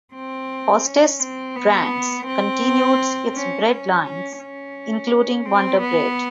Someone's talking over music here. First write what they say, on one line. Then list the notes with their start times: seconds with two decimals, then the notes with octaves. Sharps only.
Hostess Brands continued its bread lines, including Wonder Bread.
0.14 C4
0.85 C#4
1.20 C4
1.56 B3
2.27 C4
3.33 C#4
3.68 C#4
4.04 C#4
4.39 C#4
5.45 C4
5.81 B3